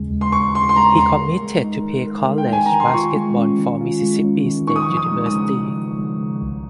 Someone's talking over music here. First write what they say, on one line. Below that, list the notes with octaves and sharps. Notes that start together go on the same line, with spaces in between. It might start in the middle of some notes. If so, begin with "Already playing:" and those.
He committed to play college baseball for Mississippi State University.
Already playing: D#2 C#3 G#3
D#2
C6
D#2 C#6
C#3 C6
C6
G#3 A#5
D#2 C6
A#4
G#3
D#4
D#3
A#4
G#3
G5
D#4 G#5
A#5
D#3
C6
F4 C#6
G#3
C#4
D#3
F4
G#3
C#4
D#3
D#4 C#6
D#6
C#6
F3
D#6
G#3
D#6
C#3
D#4
F3
G#3
C#3
C2